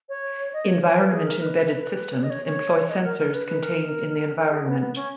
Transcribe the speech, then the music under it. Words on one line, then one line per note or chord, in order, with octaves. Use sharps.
Environment-embedded systems employ sensors contained in the environment.
C#5
D#5
C#5
C#5
B4
G#4
A#4
B4
D#5
C#5
C#5
D#5
A#4
A#4
B4
B4
A#4
A#4
G#4
B3
B3
C#4